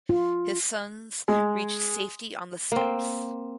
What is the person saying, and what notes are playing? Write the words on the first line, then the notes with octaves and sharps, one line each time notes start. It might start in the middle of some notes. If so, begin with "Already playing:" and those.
His sons reached safety on the steppes.
F4
G#3
A#3 C4